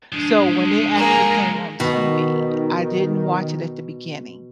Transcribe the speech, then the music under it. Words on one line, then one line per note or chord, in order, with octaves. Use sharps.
So, when it actually came on TV, I didn't watch it at the beginning,
F3 G#3 D4
A#3 G#4 A#4
B2 D#3